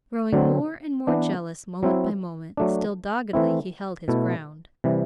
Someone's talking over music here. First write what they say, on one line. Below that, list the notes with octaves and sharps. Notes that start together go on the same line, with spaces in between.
Growing more and more jealous moment by moment, still doggedly he held his ground.
D3 F#3 C4
E3 B3 D4
F#3 C4 E4
F#3 A3 D4
E3 A3 C4 E4
B2 A3 E4
C3 E3 G3